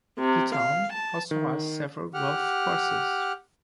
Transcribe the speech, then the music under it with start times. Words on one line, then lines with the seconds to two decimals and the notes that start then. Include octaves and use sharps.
The town also has several golf courses.
0.18 C3
0.57 F5
0.93 A5
1.31 D#3
2.14 G4 F#5 F6